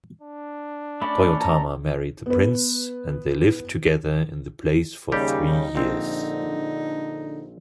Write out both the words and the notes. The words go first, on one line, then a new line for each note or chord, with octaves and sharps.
Toyotama married the prince, and they lived together in the place for three years.
D4
A3 C#4 D5 B5
A5 A#5
B3 B4
D#2 C#3 G3 D#4 G4
A#1 D3 C4